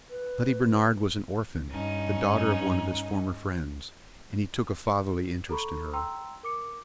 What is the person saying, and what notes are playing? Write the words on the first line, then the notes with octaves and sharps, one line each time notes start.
Letty Bernard was an orphan, the daughter of one of his former friends, and he took a fatherly interest in her.
B4
G2 C#4 D#4
A4 A#5 B5 C#6
G5 A#5 C6 E6
A#4 D6 C#7